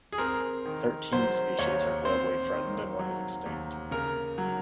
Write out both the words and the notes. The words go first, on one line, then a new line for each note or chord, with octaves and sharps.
Thirteen species are globally threatened and one is extinct.
G#4
C4 A#4
D#3
F#3 C5
D#2 C#5
C4 C5
D#3
F#3
D#2
C#3 A#4
F#3